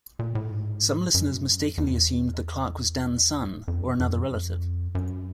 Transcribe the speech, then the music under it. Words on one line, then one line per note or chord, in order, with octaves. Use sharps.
Some listeners mistakenly assumed that Clarke was Dan's son, or another relative.
A#2
A2
G#2
F#2
E2
F2
F2
F#2
F2
F#2